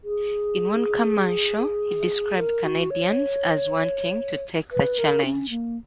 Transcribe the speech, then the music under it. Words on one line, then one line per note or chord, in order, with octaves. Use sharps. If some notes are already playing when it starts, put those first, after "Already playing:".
In one commercial, he described Canadians as wanting to take the challenge.
G#4
A#4
F#4
C#5
B4
A#4
C#4
A#3